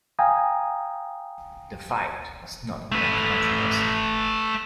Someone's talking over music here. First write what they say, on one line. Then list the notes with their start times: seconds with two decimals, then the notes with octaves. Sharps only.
The fight was not without controversy.
0.19 F5 G5 G#5 A#5 D#6
2.92 A3 B4